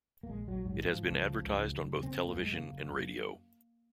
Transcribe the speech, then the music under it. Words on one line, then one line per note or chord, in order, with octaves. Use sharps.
It has been advertised on both television and radio.
A#3
A#1 G#3
A#1 F#3
G#2 F#3
D#3
G#2 F3
C#2 F3
C#3
C#2
C#3
F#1
C#3
C4
F#1
A#3
F#2
G#3
C#3 A#3
F#1
F#2